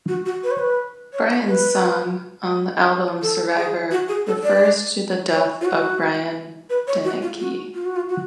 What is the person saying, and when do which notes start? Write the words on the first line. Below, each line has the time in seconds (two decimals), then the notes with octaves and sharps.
"Brian's Song" on the album "Survivor" refers to the death of Brian Deneke.
0.08 F#4
0.26 F#4
0.44 B4
0.51 C#5
0.59 B4
1.13 C#5
1.47 B4
3.22 A4
3.57 G#4
3.91 F#4
4.09 G#4
4.27 A4
4.43 D5
5.31 C#5
5.61 F4
5.66 F#4
6.70 B4
6.87 C#5
7.04 F#4
7.22 F4
7.40 F#4
7.75 F4
7.85 F#4
7.96 F4
8.09 F#4